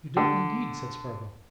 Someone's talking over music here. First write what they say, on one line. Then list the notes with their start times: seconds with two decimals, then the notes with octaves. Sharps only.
"You don't, indeed!" said Spargo.
0.17 D3